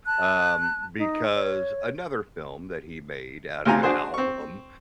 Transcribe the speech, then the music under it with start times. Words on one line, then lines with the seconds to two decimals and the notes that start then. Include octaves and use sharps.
um, because another film that he made out of an album
0.07 A5 F#6
0.97 D#4
1.33 C#5
3.65 D2 A2 C3 F4 G#5 A#5
3.83 D4 F#4 G#4 C5
4.14 C4 C#6